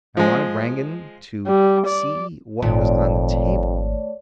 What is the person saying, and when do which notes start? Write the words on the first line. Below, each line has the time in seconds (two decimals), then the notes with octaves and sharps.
I wanted Rangon to see what was on the table....
0.17 F3 G#3
1.47 G3
1.87 D5
2.62 G#1 F2 A#2 A3 C#5 D5